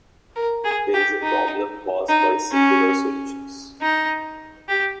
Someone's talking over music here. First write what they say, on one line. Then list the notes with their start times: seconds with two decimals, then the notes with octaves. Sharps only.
There is a problem caused by singular solutions.
0.36 A#4
0.64 G#4
0.94 G4
1.23 D#4
2.09 D#4
2.52 C#4
3.82 D#4
4.69 G4